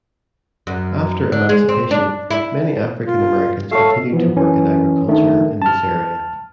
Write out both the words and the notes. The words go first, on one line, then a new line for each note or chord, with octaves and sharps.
After emancipation, many African Americans continued to work in agriculture in this area.
F#2
D3
G#3
C4
D4
E4
F4
A3 A4 C#5 F5
E3 F3 B3
E3 C#4
D#3 A3 D4
A5 F6